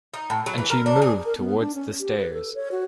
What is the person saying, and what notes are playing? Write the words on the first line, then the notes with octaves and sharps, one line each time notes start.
And she moved towards the stairs.
D#4
A2
F#3
E3
A#4
D4
G#4
A#4
B3
D4
C#4
G4
B4
A4
C#5
F#4